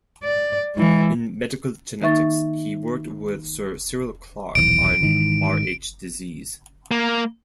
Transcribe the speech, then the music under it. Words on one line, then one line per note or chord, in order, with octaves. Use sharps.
In medical genetics, he worked with Sir Cyril Clarke on Rh disease.
D5
E3 G#3
D#3 A#3 D#4 E5 C#6 A6
D#1 B1 E3 D7
G#2 D#3 E3
A#3